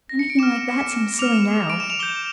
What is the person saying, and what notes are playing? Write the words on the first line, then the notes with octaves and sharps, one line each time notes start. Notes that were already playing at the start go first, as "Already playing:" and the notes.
Anything like that seems silly NOW.
A#6
C#7
D7
D6 F6 E7
D6 F6 F7
D7
E7
F7
D6 G6 G7